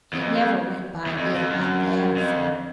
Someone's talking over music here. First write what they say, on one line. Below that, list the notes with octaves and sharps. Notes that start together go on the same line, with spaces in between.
He never went by me like that afore.
E2
F2
F2
E2
F2
F2
F#2
F2